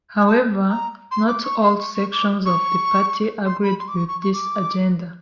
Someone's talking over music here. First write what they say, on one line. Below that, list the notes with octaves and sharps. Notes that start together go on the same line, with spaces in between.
However, not all sections of the party agreed with this agenda.
G#5
A5
A#5
C6
D6
C#6
C6
C#6
C#6
D6
C#6
C6
B5
C6
D6
C#6
C#6
C#6
D6